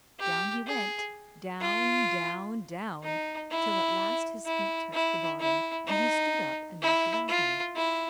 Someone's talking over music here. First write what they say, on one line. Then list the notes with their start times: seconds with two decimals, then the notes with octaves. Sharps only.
Down he went, down, down, down, till at last his feet touched the bottom, and he stood up and looked about him.
0.19 G4
0.67 G#4
1.61 F4
3.03 D#4
3.51 E4
4.45 E4
4.93 E4
5.40 E4
5.87 D#4
6.82 E4
7.29 F4
7.76 E4